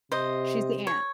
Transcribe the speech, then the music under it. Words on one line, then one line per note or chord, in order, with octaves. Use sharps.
She's the aunt.
C3 C5 D#5
C#5